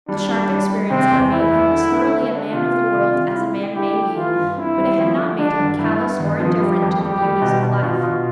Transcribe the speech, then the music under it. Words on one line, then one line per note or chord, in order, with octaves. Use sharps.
A sharp experience had made him as thoroughly a man of the world as a man may be; but it had not made him callous or indifferent to the beauties of life.
G3 D4
G3
G3
G3
C3 C4
E2
E3 E4
E2
D3
A3
D3
D4
C3 F4
A3
C3
C3
E4
D3
E4 G4
A3
E3 F4
G2
C4 E4
G3
F3
D3
D3 D4
G2
G2 E4
B3
G2
F3
G3 G4
F2
G3 G4
G3
B2
B2
B2 F4
B2